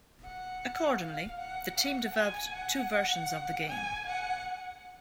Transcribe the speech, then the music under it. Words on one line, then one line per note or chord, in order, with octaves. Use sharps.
Accordingly, the team developed two versions of the game.
F#5
F5
F#5
F#5
G#5
F#5
G#5
F#5